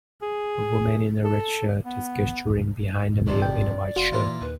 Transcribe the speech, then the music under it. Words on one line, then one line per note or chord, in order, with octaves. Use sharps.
A woman in a red shirt is gesturing behind a male in a white shirt.
G#4
A4
B3
F2 G#2 C3 D5
G#1 G5
G2
F1 F4 F#4
A#2 E3 E4 F4
D#2 B4